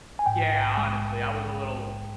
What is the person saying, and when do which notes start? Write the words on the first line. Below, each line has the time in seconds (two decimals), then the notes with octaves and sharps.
Yeah, honestly, I was a little
0.19 G#5
0.26 G#2 G5
0.52 A#1
0.77 G#3